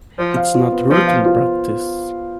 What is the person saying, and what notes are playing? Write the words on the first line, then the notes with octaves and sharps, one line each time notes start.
It's not routine practice.
F3 C5
F5
F4
B3
F3 C5
F5
F4